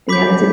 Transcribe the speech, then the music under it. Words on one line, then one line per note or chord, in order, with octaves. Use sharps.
Yeah, that's a
B5 D6 G6 B6